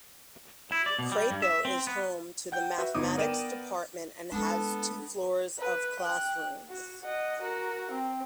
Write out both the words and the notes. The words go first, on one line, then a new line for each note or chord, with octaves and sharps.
Crapo is home to the Mathematics Department and has two floors of classrooms.
E4
D5
B2
G3
G2
E5
C4
B3
F#5 G5 G6
F#4 B4 E5
G1 B3 D#4 D6 D#6
B3 A#4 D5 G5 D#7 E7
G#3 B3 C4 D4 A4
B4
G5 F#6
F#4
D#5 F#5
F#4 A#4
C4